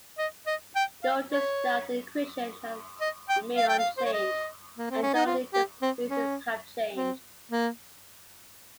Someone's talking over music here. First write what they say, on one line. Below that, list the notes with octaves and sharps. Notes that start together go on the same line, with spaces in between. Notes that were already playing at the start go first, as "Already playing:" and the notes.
Notice that the equation has remained unchanged and only the spaces have changed.
D#5
D#5
G5
F5
C#5
D#5
G5
F5
G5
F5
C5
C#5
D#5
A#3
C4
C#4
D#4
F4
G4
C4
C#4
C4
A#3